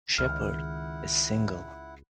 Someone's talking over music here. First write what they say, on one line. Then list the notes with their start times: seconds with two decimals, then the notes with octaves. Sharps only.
Shepherd is single.
0.18 C#2 D#3 E4 F#5 F6